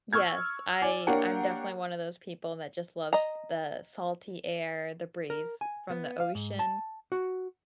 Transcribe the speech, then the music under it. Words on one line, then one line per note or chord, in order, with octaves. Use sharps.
Yes, I I'm definitely one of those people that just loves the salty air, the breeze from the ocean.
C#6 E6 F6 G#6
D5 G#5
A#3 D4 G4 A#4 C#5 F#5
D#5 A#5
A#4
G#5
B3
F5
G#2
A5
F#4